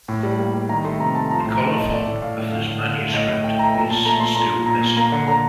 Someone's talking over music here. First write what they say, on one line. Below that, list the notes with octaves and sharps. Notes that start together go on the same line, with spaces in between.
The colophon of this manuscript is still missing.
A2
G3
A#3
G3
D#3 A#5
A3 C6
C3 A#5
A3 A5
F3 A#5
C6
A2
A#5
A2 A5
A2 D#5
A3 D5
A2
A2 F5
A2
D3 F5
D3
D3
A3
A2 D#5
A2
A3 G5
A3 A#5
A#2 A#5
A#2 A5
A3 A#5
A#2 C6
A#2 A#5
A#2
A#2 A#5
A#2
A#3 A#5
D3
D3 A#5